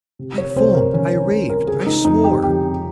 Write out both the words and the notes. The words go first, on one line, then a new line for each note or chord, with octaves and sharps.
I foamed--I raved--I swore!
C3
C#5
C2 C5
A#4
D#3 C#4
C#4
C2
A#4
C#3 G#4
D#4
F2 D#4
G4
F2 G4